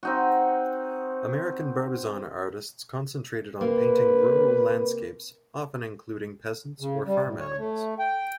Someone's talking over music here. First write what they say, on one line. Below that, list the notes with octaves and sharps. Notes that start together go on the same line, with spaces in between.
American Barbizon artists concentrated on painting rural landscapes often including peasants or farm animals.
C4 D#4 F#4
C3 A#3 B4
C#3
G3
A2
C#5
A3
G5